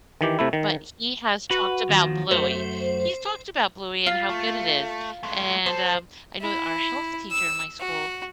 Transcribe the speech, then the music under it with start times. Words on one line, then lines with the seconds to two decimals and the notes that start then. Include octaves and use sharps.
but he has talked about Bluey he's talked about Bluey and how good it is, and, um, I know our health teacher in my school
0.21 D#3 E3 G4
0.39 C3 A3 E4
0.53 D#3
1.51 F#4 B4
1.89 D#2 D#3 F3
2.31 F#2 A3 C5
4.06 F4
4.30 A3
5.23 G#3 A3
5.66 F#2 A4 C5
6.42 E4
7.31 E6
7.80 F#4